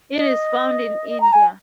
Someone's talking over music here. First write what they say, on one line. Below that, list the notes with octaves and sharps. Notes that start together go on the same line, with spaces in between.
It is found in India.
D#5
D#5
A#5
G#5